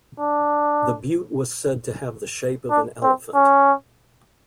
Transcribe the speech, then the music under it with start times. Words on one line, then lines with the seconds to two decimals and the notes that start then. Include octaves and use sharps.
The butte was said to have the shape of an elephant.
0.19 D4
2.70 D4
3.02 C4
3.34 C#4